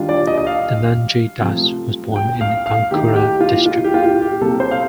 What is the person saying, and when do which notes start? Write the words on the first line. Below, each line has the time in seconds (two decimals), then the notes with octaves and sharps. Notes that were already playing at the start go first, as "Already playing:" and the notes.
Dhananjay Das was born in Bankura district.
Already playing: D#3 G3 D4 F4
0.09 D5
0.27 D#5
0.38 D#5
0.47 F5
1.40 C3 F3 A3
2.16 G5
2.41 F5
2.66 F5
2.91 D#3 A3 D#4 G4
3.16 G4
3.41 F4
3.66 F4
3.84 G4
3.94 F4
4.03 G4
4.22 G4
4.41 C3 G3 A#3 A4
4.60 C5
4.71 F5